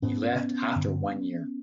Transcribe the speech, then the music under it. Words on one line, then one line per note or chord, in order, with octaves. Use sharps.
He left after one year.
G#2 B3 C#4
G2 D3